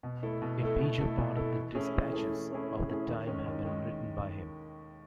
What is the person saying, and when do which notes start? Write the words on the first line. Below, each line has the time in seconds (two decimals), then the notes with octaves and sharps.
A major part of the dispatches of the time have been written by him.
0.03 B2
0.23 A3 E4 A4
0.42 B2
0.61 A3 E4 A4
0.80 B2
0.98 A3 E4 A4
1.18 B2
1.36 A3 E4 A4
1.55 E3
1.75 A3 C#4 E4 G#4
1.94 E3
2.12 A3 C#4 E4 G#4
2.32 E3
2.51 A3 C#4 E4 G#4
2.69 E3
2.88 A3 C#4 E4 G#4
3.07 D#2
3.27 D#3 G#3 C#4
3.46 D#2
3.65 D#3 G#3